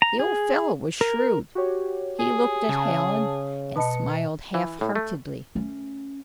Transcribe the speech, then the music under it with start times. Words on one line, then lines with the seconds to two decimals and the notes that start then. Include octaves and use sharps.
The old fellow was shrewd--he looked at Hallen and smiled half-heartedly.
0.02 A#5
0.19 G#4
1.01 A#4
1.55 F#4 G4 C#5
2.20 G#4
2.69 C#3 A5
3.76 B2 B4 D#5 A5 B5 C#7
4.54 E3
4.81 A2
4.95 A3
5.55 A3 C#4